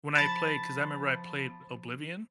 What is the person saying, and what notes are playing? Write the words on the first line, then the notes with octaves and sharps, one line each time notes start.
when I play 'cause I remember I played Oblivion.
F3 A5 B5 A6